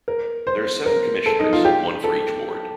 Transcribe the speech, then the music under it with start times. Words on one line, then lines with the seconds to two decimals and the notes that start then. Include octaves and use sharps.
There are seven commissioners, one for each ward.
0.08 A#4
0.47 C5
0.86 A#4
1.26 A4
1.40 D#4
1.53 F4
1.65 G4
2.04 A4